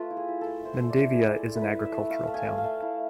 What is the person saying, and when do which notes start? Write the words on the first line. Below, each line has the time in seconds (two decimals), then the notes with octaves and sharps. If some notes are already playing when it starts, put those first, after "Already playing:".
Mendavia is an agricultural town.
Already playing: A3 F4 B4
0.10 E4
0.17 G#4
0.28 E4
0.41 A4
0.47 A3
0.65 E4 C5
0.83 A3
0.89 D5
1.01 E4
1.13 G#4
1.19 E4
1.37 A3 A4
1.55 E4
1.61 B4
1.73 E4
1.85 E5
1.92 A3
2.10 A3 F5
2.27 A3
2.34 G#5
2.46 A3
2.58 F5
2.64 A3
2.82 E4